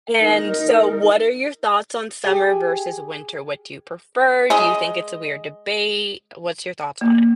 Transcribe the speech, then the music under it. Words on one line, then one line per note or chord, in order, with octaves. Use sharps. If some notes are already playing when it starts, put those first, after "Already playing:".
And, so, what are your thoughts on summer versus winter? What do you prefer? Do you think it's a weird debate? What's your thoughts on it?
D#4 A#4
G4 G#4 G5
G#3 G#4 D#5
A#3